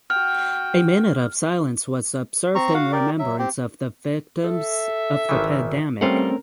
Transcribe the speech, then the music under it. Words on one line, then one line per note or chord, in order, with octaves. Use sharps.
A minute of silence was observed in remembrance of the victims of the pandemic.
F#4 G5 F6
C4 A#5 C#6
F#4 F5 F#5
G4 A#4 D5
F#3 E5
C4 G4
A4 E5
G#1 D#3 E3
G3 A3 C4 C#4 F4 A#4 F5 F#5